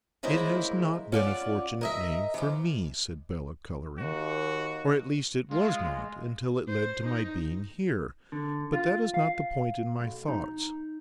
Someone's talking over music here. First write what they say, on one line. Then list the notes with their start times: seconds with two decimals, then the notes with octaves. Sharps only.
'It has not been a fortunate name for me,' said Bella, colouring--'or at least it was not, until it led to my being here--but that is not the point in my thoughts.
0.23 D2 C#3 G#3 A#3 E4 C5
1.12 C#4 F4 D5 F#5
1.81 A#4 D#5 E5
2.34 E3 F3
3.98 D#2 F#4
5.51 G#3 F4
6.69 C5
7.05 D#4
8.32 D3
8.73 F4
9.14 F5
10.00 B1
10.28 D#4